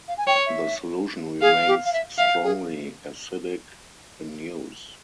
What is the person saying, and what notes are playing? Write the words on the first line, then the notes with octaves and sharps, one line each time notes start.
The solution remains strongly acidic in use.
F5
G#5
C#5 G5
E5
G#4 F5
G4
F5
E5
E5 F5
G#4